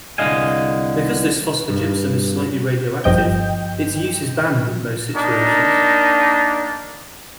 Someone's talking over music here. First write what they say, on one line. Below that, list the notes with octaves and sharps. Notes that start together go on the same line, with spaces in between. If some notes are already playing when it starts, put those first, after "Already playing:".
Because this phosphogypsum is slightly radioactive, its use is banned in most situations.
C2 D3 D#5 F5 G#5
G2
G1 G2 F3 D#5 G5 G6
A#3 D4 D#4